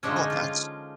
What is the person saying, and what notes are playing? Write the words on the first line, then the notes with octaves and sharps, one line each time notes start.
Oh, that's
D3 F3 G#3 C#4 D4
D#4
F4
F4